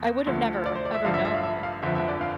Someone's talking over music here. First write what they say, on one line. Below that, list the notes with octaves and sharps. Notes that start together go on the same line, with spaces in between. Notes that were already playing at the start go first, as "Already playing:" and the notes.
I would have never ever known, um, ha
Already playing: E2
D2 D3 F3
D5
C5
D5
E5
A1 G2 D3 F3 F5
E5
E5
F5
E5
F5
G1 F2 D3 F3 E5
E5
D5
F5